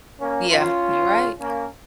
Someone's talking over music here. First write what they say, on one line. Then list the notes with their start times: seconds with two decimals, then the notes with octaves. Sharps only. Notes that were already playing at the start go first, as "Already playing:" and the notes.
Yeah. You're right.
0.20 A#3 C#4
0.49 F#2 F3 C#4 F4
1.09 C#2 C#3 F3
1.39 A#3 C#4